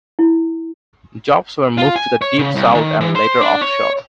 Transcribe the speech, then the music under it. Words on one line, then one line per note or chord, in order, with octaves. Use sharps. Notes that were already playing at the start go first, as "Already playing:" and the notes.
Jobs were moved to the Deep South and later offshore.
E4
F4
G#5
C#5
C#3
C2
D#3
E3
C5
D4
C#5